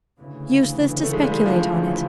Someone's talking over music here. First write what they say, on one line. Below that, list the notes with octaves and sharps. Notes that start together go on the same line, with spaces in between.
Useless to speculate on it!
D2 C#3 E3
A3
G#3
G3
G#3
F3